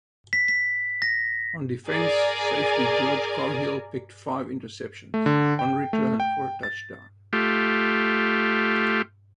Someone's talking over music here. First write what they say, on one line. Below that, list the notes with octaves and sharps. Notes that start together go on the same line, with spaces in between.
On defense, safety George Coghill picked five interceptions, one returned for a touchdown.
B6
B6
A#6
G#4 A#4 D5 G#5
A3
D3
G5
A3
G5
A6
A3 F4 G4